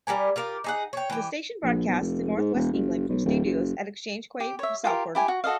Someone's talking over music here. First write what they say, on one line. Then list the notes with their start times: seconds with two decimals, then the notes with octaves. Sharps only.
The station broadcasts to North West England from studios at Exchange Quay, Salford.
0.07 G3 G4 A#4 G#5
0.36 F4 G4 A#4
0.64 D#4 G#4 F#5
0.93 C#5 G5
1.10 E3 G4
1.63 A#1
1.88 B1
2.00 F1
2.36 G#2
2.55 E1
2.73 F#1
3.09 B1
3.25 D1
3.45 F#1
4.40 G4
4.59 C#5 E5
4.84 F4 G4 A4 A#4
5.15 E4 G4 G#5
5.28 F#4
5.44 F#4 A4 D#5 F5